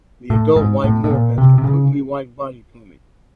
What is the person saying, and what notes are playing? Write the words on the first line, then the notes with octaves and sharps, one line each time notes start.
The adult white morph has completely white body plumage.
A2
G#2
A2
A2
A#2
C3
C3
C#3